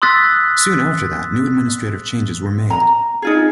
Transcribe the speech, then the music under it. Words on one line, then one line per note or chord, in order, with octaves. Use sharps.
Soon after that, new administrative changes were made.
C6 D#6 E6 F#6 A6 B6
A#5
D#4 F4 G#4